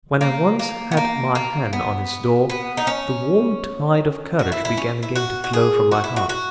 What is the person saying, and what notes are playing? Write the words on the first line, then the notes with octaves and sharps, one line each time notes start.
When I once had my hand on his door, the warm tide of courage began again to flow from my heart.
A#3
A#3
B3
A#3
A#3
B3
B3
D#4
C#4
F#4
E4
E4
C#4
E4
F#4
F#4
G#4
F#4
E4
F#4
F#4